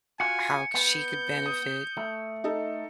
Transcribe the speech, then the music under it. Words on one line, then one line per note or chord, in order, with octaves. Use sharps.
how c she could benefit
F4 F#4 G#5 C#7
B3 G6
D#6
A3
D#4 A4